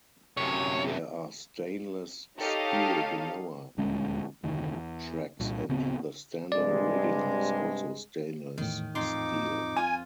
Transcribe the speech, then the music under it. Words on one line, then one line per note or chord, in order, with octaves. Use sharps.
There are stainless steel genoa tracks and the standing rigging is also stainless steel.
F#2 C3 C#5
D#4 G4 A4 C#5 D#5 F5
D#1 D2 G#3 C#4
F1 D2 D#3
E2
C2 A#2
D1 C#3 B3 C4
G2 C3 G#3 D5
E2 A2 D#3
F2 D#4 C6 D6
F4 G#5